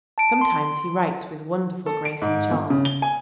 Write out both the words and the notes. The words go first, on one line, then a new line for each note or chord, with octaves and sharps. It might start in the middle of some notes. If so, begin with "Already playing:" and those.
Sometimes he writes with wonderful grace and charm.
A5 D7
C6
A4
D7
G#2
G1
C#3
G7
G#5